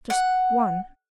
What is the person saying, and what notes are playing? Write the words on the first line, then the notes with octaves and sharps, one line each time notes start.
Just one?
F#5